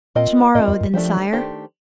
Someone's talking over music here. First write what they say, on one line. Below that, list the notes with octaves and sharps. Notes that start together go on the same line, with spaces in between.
"Tomorrow, then, sire?"
A#2 C4 F4 A#4 D#5
A2 C4 F4 A#4 D#5
F2
G2
D#3 F3 A3 D4 G4 C5
D#3 A3 D4 G4 C5